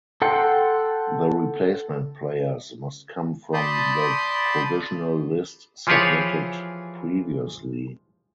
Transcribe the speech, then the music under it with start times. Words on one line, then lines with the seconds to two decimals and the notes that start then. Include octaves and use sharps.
The replacement players must come from the provisional list submitted previously.
0.22 A4 F#5 G5 C6
3.54 D5 A5 B5 C6 D#6 G6
5.87 E3 F3 F4 G4 G#4 C#5